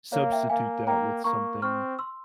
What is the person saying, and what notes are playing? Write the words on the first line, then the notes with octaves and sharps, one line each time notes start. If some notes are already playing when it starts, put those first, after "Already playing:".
substitute that with something
A#3 C#5 F5
E5 G5
A#3 F5 G#5
A#3 G5 A#5
A#3 A#5 C#6
C4 C#6 F6
C6 E6